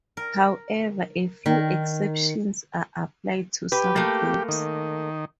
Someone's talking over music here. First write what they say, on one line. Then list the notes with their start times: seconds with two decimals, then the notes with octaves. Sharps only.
However, a few exceptions are applied to some groups.
0.17 A#4
1.46 D#3
3.72 G4 B4
3.96 A3 A#3
4.48 D#3